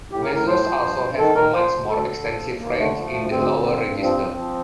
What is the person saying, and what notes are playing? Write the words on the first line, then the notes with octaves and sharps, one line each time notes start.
Mezzos also have a much more extensive range in the lower register.
A2 G4
A#4
A2
A#4
F3 C5
F3
G2
G2
D#3 A4
D#3 A#4
F3 C5
D2
D2 A4
D3
F3
D#2
D#2 A#3
D3 A3
F3
D2
D2 C4
D3
G2
G2
F3 C4
F3
F3